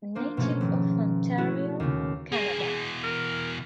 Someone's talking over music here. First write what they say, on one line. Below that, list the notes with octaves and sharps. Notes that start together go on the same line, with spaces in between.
Native of Ontario, Canada.
A#3 D4 C5
B2 F3 A3 A#3 C#4
G#1
G#3 A3 C#4 E4 F#4
D#2 C#3
A#3 C4 G#4
B2 E3
A#4